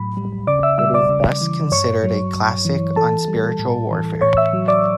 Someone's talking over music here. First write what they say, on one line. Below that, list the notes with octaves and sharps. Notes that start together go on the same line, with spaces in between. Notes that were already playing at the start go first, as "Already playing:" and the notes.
It is thus considered a classic on spiritual warfare.
Already playing: A2 F#3 B5
G3
C#3 D5 D6
E5 E6
G3 E5 E6
D5 D6
C#3
E3
G2 C#5 C#6
F#3
G2
E3
E3 A4 A5
G3
A2
E3
A2 C#5 C#6
E5 E6
F#3
D5 D6